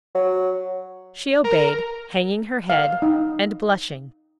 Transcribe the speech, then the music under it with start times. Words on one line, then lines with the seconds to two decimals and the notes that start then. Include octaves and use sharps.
She obeyed, hanging her head and blushing.
0.15 F#3
1.44 A#4
2.70 F5
3.02 D#4